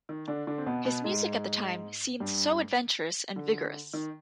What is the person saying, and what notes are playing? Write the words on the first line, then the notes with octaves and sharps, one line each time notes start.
His music at the time seemed so adventurous and vigorous.
D#3
D3 D4
D3 D4
C4
B2 B3
B2 B3
G#2 G#3
G2 G3
D3
D#3